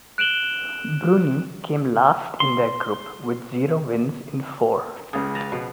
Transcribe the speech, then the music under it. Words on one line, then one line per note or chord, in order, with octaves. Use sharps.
Brunei came last in their group with zero wins in four.
F#6 D7 E7 F#7 G7
C6
C#2 C#3 D#6
B4 A5 A#5
B2 F3